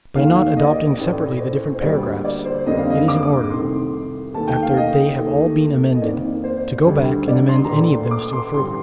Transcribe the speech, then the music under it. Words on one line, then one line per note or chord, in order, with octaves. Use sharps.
By not adopting separately the different paragraphs, it is in order, after they have all been amended, to go back and amend any of them still further.
D#2 D#3 A3 F5
D#5
D5
D#5
A1 A2 A3
C5
C5
D2 D3 G3 A#3 D5
D5
C5
F2 D3 G3 A#3 D#5
F5
D#5
D6
C2 C3 D#3 A3 C6
D#2 D#3 A3 A5
G5
F5
D#5
D#2 D#3 A3
D#5
F2 D#3 A#3 D5
C5
D2 D3 G3
D5
C6
A#5
A#1 A#2 A3 C6
D6
C6
A1 G2 D3 G3 C6